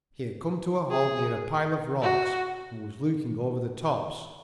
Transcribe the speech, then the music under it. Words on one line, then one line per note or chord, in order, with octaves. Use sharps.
He had come to a halt near a pile of rocks and was looking over the tops.
G#4
F#4